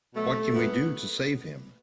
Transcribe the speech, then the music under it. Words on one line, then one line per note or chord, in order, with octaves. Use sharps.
What can we do to save him?
B2 F#3 A3
F#2 F#3 B3